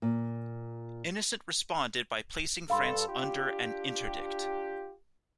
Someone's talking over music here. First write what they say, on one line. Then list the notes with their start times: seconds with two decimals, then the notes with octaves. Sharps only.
Innocent responded by placing France under an interdict.
0.02 A#2
2.70 G2 A4 F5 B5 C6
3.09 D4 F4 G4